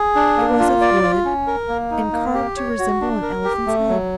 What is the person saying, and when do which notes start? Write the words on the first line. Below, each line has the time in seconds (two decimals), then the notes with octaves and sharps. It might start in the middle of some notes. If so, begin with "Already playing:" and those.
It was of wood and carved to resemble an elephant's head.
Already playing: G#4
0.15 D4
0.37 A#3
0.60 F4
0.81 D5
1.03 F4
1.25 C#4
1.47 A#4
1.68 A#3
1.91 D#4
2.13 A#3
2.35 G4
2.57 C#5
2.79 F#4
3.01 D4
3.22 A#4
3.45 G4
3.67 A3
3.89 F#3